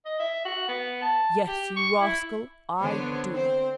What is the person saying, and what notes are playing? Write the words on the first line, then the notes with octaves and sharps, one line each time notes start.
"Yes, you rascal, I do."
D#5
E5
F#4
B3
A5
G4
C#6
E4
D3 B3 C5 C#5
C4 C5